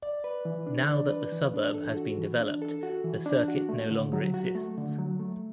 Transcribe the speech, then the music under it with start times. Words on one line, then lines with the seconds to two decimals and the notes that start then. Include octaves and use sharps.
Now that the suburb has been developed the circuit no longer exists.
0.02 D5
0.24 B4
0.45 E3
0.67 D4
0.89 D5
1.10 B4
1.32 E3
1.54 D4
1.74 A4
1.97 F#4
2.18 E3
2.40 D4
2.62 A4
2.83 F#4
3.04 E3
3.26 D4
3.48 F#4
3.69 A3
3.91 D3
4.13 F#3
4.34 F#4
4.55 A3
4.78 D3
4.99 F#3
5.20 A3